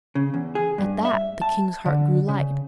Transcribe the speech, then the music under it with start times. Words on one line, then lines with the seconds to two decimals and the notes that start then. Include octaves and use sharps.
At that the king's heart grew light.
0.15 C#3
0.34 E2
0.55 G#4
0.78 G2
1.05 E5
1.42 A5
1.86 D3
2.29 C#3